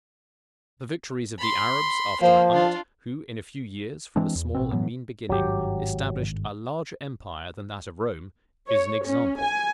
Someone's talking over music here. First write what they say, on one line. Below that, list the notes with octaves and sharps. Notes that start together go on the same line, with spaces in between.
The victories of the Arabs after Mahomet, who, in a few years, from a small and mean beginning, established a larger empire than that of Rome, is an example.
B5 C6
F3 A#3 C5
D4 F4
E3 G#3 C4 D4
E2
A1 B2 C4
A2 E3 F#3 B3
G#1 G2 F#3 G4
C#5
C#4
G#5